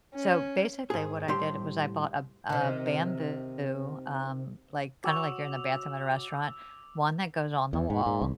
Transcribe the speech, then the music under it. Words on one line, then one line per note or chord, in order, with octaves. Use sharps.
So basically what I did was I bought a a bamboo, um, like, kinda like you're in the bathroom at a restaurant, one that goes on the wall,
C#4
G#2 G#4
A2 G3 G4 C5 C6
C3 D#3
F#4 C#5 D6 E6 F7
E2
G#2
G#2
C2